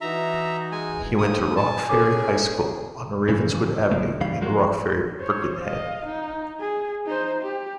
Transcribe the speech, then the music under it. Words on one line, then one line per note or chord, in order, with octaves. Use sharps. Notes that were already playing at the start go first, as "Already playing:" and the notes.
He went to Rock Ferry High School on Ravenswood Avenue in Rock Ferry, Birkenhead.
E3 D#4 F#4 E5 A#5
G#3 G#5
D#2 D#6
G#5 A5
C#4 G#4 A4 D6
G2 C#3 E3 F3
C#2 A2 A#3
C#2 G2 C#3 E3 G3 F5
F3 G#3 A#3 F4 F#4
C5 C#5
D#5 F5
D#4
G#4
D#4 C5
G4